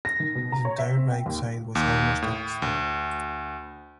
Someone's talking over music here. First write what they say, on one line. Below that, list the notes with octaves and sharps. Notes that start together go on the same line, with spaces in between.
His entire right side was almost extinct.
A#6
D#3
B2
A#5
C#5
E5
C4
G5
D#2
D#2
A2
D2